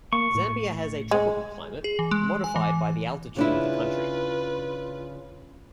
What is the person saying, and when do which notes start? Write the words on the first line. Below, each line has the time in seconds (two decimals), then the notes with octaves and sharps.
Zambia has a tropical climate, modified by the altitude of the country.
0.13 A#3 C#6
0.35 A2
1.11 G#3
1.84 G#4
1.99 E3
2.11 G#3
2.44 G#5
2.56 E3
3.36 C#3 D4 E4 F4 B4